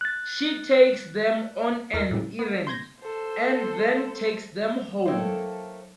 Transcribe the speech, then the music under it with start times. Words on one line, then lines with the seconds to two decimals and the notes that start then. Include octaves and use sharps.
She takes them on an errand, and then takes them home.
0.01 F#6 A6
1.94 E2 A#4 A#6
2.11 A2 C#3 G3
2.39 B3
2.67 C6 G6 G#6 A#6
3.00 A4 C5
5.06 F#3 A3 A#3 D#4 A4 C5 C#5 G5